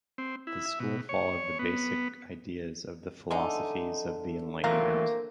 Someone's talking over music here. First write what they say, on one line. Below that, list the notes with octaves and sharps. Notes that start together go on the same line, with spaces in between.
The school followed the basic ideas of the Philosophes of the Enlightenment.
C4
E4
E5
B2
C#5
B3
D3 G#3 D#4 D5 E5
E3 F#3 A3 A#3 C4 F5 A#5